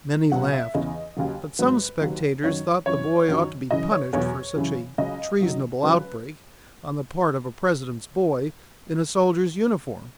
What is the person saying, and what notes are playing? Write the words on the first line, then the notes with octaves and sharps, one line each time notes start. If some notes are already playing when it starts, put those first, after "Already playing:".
Many laughed, but some spectators thought the boy ought to be punished for such a treasonable outbreak on the part of a President's boy in a soldier's uniform.
C#2 B2 F#3 F#5
E5
E2 C#3 E3 D#5
D#2 C#3 F#3
G#2 F#3 B4
D#2 D#3 F#3
F#2 D#3 F#3 C#5
F#2 E3 C#5
F#2 D#3 F#3
F#2 C#3 E3 D#5
C#5
E2 B2 F#3 C#5
F#2 C#3 E3
C#2 C#3 F#3 D#5
F#2 D#3 F#3
C#2 C#3 F#3 B4